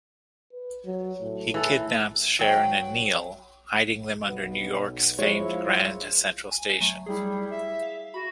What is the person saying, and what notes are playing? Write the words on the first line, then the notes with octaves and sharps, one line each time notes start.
He kidnaps Sharon and Neil, hiding them under New York's famed Grand Central Station.
B4
F#3
A2
E3 A4
F#3 G5
B1 B2 B3
F3 G#3 E4 F4 C#5
G#5
F#3 A3
G3 E4 G#4
E5
F5
F#4 B5